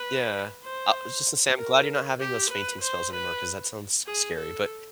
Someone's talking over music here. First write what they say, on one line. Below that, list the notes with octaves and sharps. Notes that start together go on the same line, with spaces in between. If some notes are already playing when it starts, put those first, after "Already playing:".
Yeah. I just to say, I'm glad you're not having those fainting spells anymore 'cause that sounds scary, but
Already playing: B4
C5
A#4
G4
B4
C5
B4
G#4
A4